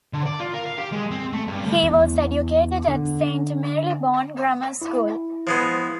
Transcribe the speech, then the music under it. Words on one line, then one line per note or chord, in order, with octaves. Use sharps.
He was educated at Saint Marylebone Grammar School.
D3
D5
F4
A#4
F5
G4
G#3
C4
A3
G2
D2
E2
D3
E4
F3 G#3 B3